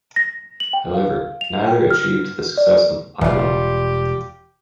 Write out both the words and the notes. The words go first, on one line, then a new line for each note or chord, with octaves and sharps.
However, neither achieved the success of "Eye Level".
A#6
F#7
G5
F5
F7
G5
F6
D5
E1 E3 G3 F4 G4